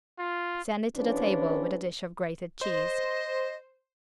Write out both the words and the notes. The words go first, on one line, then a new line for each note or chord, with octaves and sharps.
Send it to the table with a dish of grated cheese.
F4
E2 F3 C#4 D4 F4 B4
C5 D#5